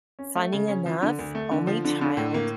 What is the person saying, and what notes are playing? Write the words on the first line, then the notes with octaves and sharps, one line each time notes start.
Funny enough, only child,
C#4
A3
C#3
C#4
F3
D3
D2
A3
D3
F3
D3
D3
A2
A#3